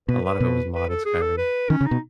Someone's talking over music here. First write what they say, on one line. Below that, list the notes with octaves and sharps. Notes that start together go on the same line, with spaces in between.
a lot of it was modded Skyrim.
B2 B4
B4
B2
B4
A4
G#4
A4
B4
D#3 C#4
C#3
D#4
B2